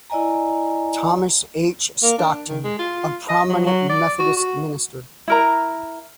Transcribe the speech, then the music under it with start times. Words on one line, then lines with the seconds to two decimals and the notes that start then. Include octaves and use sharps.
Thomas H. Stockton, a prominent Methodist minister.
0.10 E4 D5 D#5 G#5 A#5
2.03 A#3
2.18 D4
2.48 D#3
2.65 G#3
2.79 F4
3.29 D#5
3.49 F#3
3.67 F#3
3.90 D5
4.19 F#4
4.37 F#4
5.28 E4 A#4 A#5